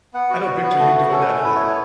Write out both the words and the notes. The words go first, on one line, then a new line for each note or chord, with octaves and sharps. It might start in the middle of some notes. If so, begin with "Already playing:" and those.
I don't picture you doing that at all.
B3 F#5
F#4
F#4
B3
A3
F#4
C#4 A4
A3
E4 B4
C#5
B3
C#5